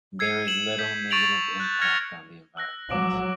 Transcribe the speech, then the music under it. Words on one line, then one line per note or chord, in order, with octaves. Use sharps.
There is little negative impact on the environment.
E6 G#6 C7 C#7 D#7
E7 F#7
G6 B6
C#6 A6 D7 F7 F#7
F#6 G6
F6 G#6 A#6 C#7 F7
E6 F#6 A#6
F#3 D6 D7 F#7